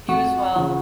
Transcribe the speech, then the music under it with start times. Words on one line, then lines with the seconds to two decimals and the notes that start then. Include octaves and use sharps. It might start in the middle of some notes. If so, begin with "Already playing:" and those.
You as well.
0.08 F2 F#4
0.56 C#3 F3